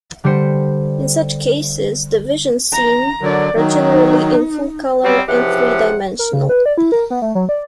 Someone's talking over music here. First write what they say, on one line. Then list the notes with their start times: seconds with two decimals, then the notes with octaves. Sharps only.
In such cases, the visions seen are generally in full color and three-dimensional.
0.24 D3 G3 G4 C5 C#7
2.74 A#5
3.22 D3 F#3 A#4 D5
3.55 D#3 F#3 D#4
5.04 F#3 G3 C4
5.27 C#2 C3 E3 F3 G4 F#5
6.19 A#4
6.33 C#3
6.49 B4
6.66 D5
6.78 E4
6.92 A#4
7.10 B3
7.22 A3
7.35 F#3
7.49 D5